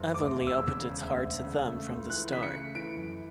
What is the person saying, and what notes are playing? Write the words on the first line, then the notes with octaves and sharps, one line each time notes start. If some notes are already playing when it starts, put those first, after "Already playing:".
Avonlea opened its heart to them from the start.
Already playing: F#1
D2 D6
E1
E6
E1
C#3
D2
E1
C#3
A3
C#2
E3 F#6
C#3 B6
C#7
A3
E3 D7
F#2